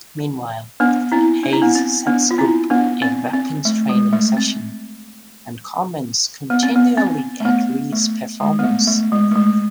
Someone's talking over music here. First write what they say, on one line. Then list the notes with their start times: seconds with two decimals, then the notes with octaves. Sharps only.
Meanwhile, Hayes sets up a weapons training session, and comments continually at Reed's performance.
0.80 B3 D4
1.12 C4 E4
1.44 D4
1.53 E4
1.62 B3 D4
1.75 C4
2.07 B3 D4
2.31 F4
2.38 C4 E4
2.70 B3 D4
3.02 C4
3.33 C4
3.65 A3
3.89 G#3
4.13 A3
4.37 C4
6.50 B3
6.63 C4
6.76 B3
6.97 C4
7.40 A3
7.45 B3
7.93 A3
8.40 G#3
8.59 B3
8.64 A3
8.87 A3
9.12 G#3
9.31 A3
9.35 G#3